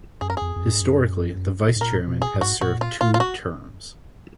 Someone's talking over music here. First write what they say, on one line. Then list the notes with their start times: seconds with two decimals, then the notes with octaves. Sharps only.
Historically, the Vice Chairman has served two terms.
0.21 F#2 G#4
0.30 A#4
0.37 F2 G#4
0.56 F2
0.62 F#2
0.74 G#2
0.81 F#2
1.76 G#2
1.81 A#2 A#4
2.08 B2
2.22 G#4
2.34 G#2
2.41 F#4
2.61 A#2 F#4
2.81 F4
3.01 F4
3.14 F4
3.20 F#4